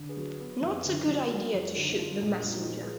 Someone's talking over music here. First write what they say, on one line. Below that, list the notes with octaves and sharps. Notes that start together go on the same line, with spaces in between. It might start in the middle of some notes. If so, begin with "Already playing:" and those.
Not a good idea to shoot the messenger.
Already playing: D3
G#4 B4
F#3
B3
F#2
D3
F#3
B3 F#4 A#4
F#2 F4 G#4
D3 D#4 F#4
F#3 D4 F4
A#2 D4 F4
A#2
D#4 F#4
F3
G#4 B4